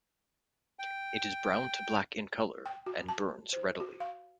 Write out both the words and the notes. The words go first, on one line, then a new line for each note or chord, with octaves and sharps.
It is brown to black in color, and burns readily.
G5
G5
F#4
A5
C5
F#4
F5